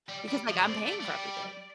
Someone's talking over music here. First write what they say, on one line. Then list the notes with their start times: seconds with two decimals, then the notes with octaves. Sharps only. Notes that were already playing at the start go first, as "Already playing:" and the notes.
because, like, I'm paying for everything."
0.09 G3
0.18 D5
0.28 G3
0.48 F3
0.60 A2
0.67 C3
0.87 A3
1.01 A3
1.06 G3